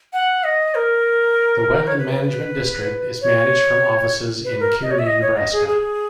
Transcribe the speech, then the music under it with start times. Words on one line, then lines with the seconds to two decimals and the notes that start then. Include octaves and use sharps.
The Wetland Management District is managed from offices in Kearney, Nebraska.
0.13 F#5
0.44 D#5
0.75 A#4
1.87 C#5
1.98 B4
3.22 C#5
4.45 B4
4.60 A#4
4.82 D#5
4.91 C#5
4.99 E5
5.07 D#5
5.22 C#5
5.37 D#5
5.53 G#4
5.68 G#4